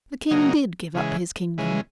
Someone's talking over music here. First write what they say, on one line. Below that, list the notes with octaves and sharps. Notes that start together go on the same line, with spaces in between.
The King did give up his kingdom.
C#3 F#3 A#3 D#4
C#3 E3 G#3
C#3 E3 G#3